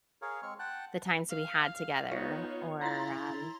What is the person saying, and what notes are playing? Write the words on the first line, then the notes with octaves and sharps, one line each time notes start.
the times that we had together or, um,
G#4 A#4 C#5 F5
G#3 C4 C#6 F6
F#5 G5 A5 F#6
F5
B3 D#4 F4 C#5
E4 A#5 C6 A6